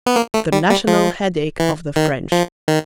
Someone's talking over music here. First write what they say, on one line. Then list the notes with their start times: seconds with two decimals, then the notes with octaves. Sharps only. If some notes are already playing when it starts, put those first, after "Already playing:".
The national headache of the French.
0.06 B3
0.16 A#3
0.34 A3
0.52 G3
0.70 G3
0.87 F3
1.60 E3
1.96 D#3
2.32 F3
2.68 D#3